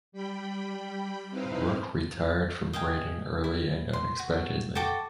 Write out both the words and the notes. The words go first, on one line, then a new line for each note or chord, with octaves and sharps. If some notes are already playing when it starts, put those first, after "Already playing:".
Rook retired from writing early and unexpectedly.
G3 G5 B5
C4 D#4 E4 B4 C5 F5
D#5 F5 G5 G#5
E4
C6
F#4
F#4 A4 G5 D6